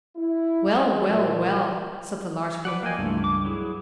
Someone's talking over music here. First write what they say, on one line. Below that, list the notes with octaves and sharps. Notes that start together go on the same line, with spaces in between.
"Well, well, well!" said the large woman.
E4
G#3
A#2
B4 D5 F#5
A#3 D#5 F5 G5 G#5
C#2 G2 E3 A3 F4
D6
F#3 E4 G#4